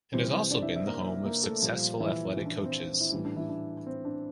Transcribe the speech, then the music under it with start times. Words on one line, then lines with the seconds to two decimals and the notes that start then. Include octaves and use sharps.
It has also been the home of successful athletic coaches.
0.13 C3 E3 G3 C4 C5
0.51 D4 D5
0.62 E4 E5
0.76 E4 E5
0.87 A#3 A#4
1.25 A#3 A#4
1.43 A3 A4
1.62 A#2 F3 G3 F4
2.00 E3 E4
2.37 E3 E4
2.46 D4
2.65 C4
3.00 E4
3.11 A2 E3 G3 D4
3.25 D4
3.36 E3 E4
3.49 D4
3.87 C4
4.05 D4